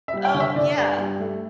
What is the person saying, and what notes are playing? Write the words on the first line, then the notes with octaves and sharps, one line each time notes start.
Oh, yeah.
E5
G3
G5
D3
E5
D3 D5
G2
G3
A3